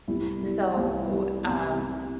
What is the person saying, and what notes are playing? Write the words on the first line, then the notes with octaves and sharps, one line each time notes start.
So, um
C2 E4
G3
C2
G3
C3 G3
C3